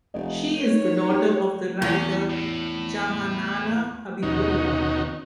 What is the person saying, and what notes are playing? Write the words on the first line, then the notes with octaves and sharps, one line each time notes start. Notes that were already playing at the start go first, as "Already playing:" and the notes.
She is the daughter of the writer Jahanara Habibullah.
F1 D#5
D#3 C#5
G4
E2 C#4
A2
D#2 B2 D#3 C#4 D#4 F#4